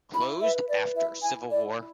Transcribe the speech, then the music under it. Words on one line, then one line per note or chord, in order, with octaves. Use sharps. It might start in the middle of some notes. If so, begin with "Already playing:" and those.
Closed after Civil War.
E4 B5
B4 E5
B4 D5
E4 E5
E4 G#5
E4 D5
E4